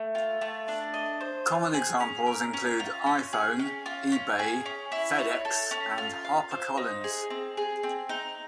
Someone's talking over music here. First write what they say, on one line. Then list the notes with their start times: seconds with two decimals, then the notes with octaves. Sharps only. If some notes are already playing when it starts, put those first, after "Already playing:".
Common examples include "iPhone", "eBay", "FedEx", and "HarperCollins".
Already playing: A3
0.15 F4
0.41 A3
0.68 D4
0.94 D#5
1.21 C5
1.47 F4
1.74 G#4
2.00 C#4
2.26 A#4
2.54 C#4
2.80 F4
3.06 C#4
3.33 G#4
3.59 C#4
3.86 F4
4.12 C#4
4.39 G#4
4.66 C#4
4.92 E4
5.19 C#5
5.45 A4
5.71 C#4
5.98 F4
6.25 F5
6.51 C5
6.77 D#4
7.04 G#4
7.30 C4
7.57 G#4
7.83 C4
8.09 D#4